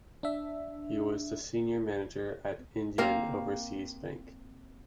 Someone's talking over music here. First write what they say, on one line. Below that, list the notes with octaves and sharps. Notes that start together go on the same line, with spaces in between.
He was the Senior Manager at Indian Overseas Bank.
D4 E5
A#3 C4 A#4 F5